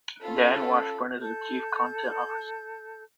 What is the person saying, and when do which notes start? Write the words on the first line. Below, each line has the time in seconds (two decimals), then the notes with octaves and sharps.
Dan Washburn is the Chief Content Officer.
0.23 C#4 F4 A4 B5
1.20 A4 G6